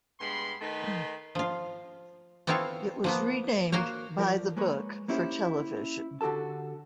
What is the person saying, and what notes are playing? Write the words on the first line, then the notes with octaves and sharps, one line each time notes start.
It was renamed "By the Book" for television.
G2 G#3 B3 B5 C6
D#3 A3 D#4 B4 C6
F3 F4
B3 C4 E4 F4 A4 C#5
F3 A#3 B3
A#3 F#4 C5 C#5
F3 A#4 D5
G#3 A#3 B4 C#5
A#3 C#4 E4 G4 C5
D3 F#4 G4 A4 A5